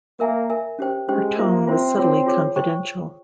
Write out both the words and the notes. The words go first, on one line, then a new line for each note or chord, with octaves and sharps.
Her tone was subtly confidential.
A#3 A#4 E5 G#5
A#4 E5 G#5
C#4 G4 C5 G5
G#3 C#4 G4 C5 G5
A#3 F4 C5 E5
C4 F4 C5 E5
C4 F4 G#4 C#5
F4 G#4 C#5
C5 G5 C#6